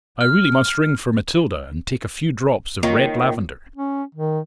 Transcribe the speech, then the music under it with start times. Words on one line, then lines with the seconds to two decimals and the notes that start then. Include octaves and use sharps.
I really must ring for Matilda, and take a few drops of red lavender.
0.21 F6
2.83 D#3 A#3 F4 C#5
3.76 C#4
4.15 D#3